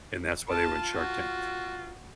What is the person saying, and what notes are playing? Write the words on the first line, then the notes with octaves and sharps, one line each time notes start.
and that's why they were in Shark Tank,
F4 A5
F#4